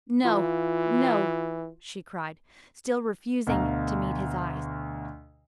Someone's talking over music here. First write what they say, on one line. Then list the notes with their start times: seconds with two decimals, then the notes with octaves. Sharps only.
"No, no," she cried, still refusing to meet his eyes.
0.25 E3 F4
3.47 D2 B2 D3 F5 A#5